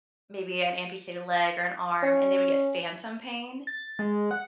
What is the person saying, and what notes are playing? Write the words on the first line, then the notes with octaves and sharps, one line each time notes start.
maybe an amputated leg or an arm, and they would get phantom pain,
C#4
A6
G#3
F#5